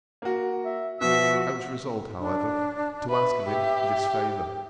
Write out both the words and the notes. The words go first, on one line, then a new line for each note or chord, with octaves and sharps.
I was resolved, however, to ask of him this favour.
A#3 F#4
E5
B2 F3 F#4 B4 E5
D4
B4 E5
G4